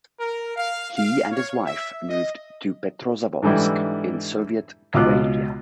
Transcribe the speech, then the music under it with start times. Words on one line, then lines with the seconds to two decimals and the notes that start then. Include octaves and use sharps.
He and his wife moved to Petrozavodsk in Soviet Karelia.
0.19 A#4
0.56 F5
0.96 F5
1.32 C#5
1.65 E5
2.08 D#5
3.42 G#2 D3 E3 G3 E4
4.94 C#2 B2 F4 D6 F#6